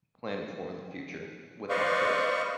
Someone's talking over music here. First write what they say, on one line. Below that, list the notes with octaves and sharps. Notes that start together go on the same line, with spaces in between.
planning for in the future, with my kids.
B4 C5 D5 D#5 F5 C#6